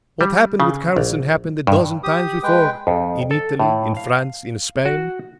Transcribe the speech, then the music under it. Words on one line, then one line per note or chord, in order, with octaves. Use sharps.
What happened with Karlson happened a dozen times before--in Italy, in France, in Spain.
G3
C#3
A#1
G2
G4 D#6
G#3 B4 G5
F2
A4
A2
F5
F#4